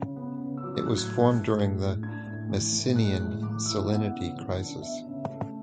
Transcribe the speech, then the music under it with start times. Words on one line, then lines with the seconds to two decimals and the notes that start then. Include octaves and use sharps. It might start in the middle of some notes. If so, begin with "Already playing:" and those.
It was formed during the Messinian salinity crisis.
Already playing: C#3
0.16 B3
0.40 C#3
0.57 E6
0.63 F#3 D6
0.75 E6
0.86 A2 F#6
0.98 G#6
1.10 A3 F#6
1.33 A2
1.56 G#3
1.80 A2
2.02 D4 G#6
2.26 A2
2.49 E3
2.73 A2
2.96 G#3 F#6
3.19 A2
3.43 E3 D6
3.66 E4 E6
3.89 B3 F#5
4.13 C#3
4.36 E3
4.59 D4
4.82 B3 E5
5.06 C#3
5.29 A3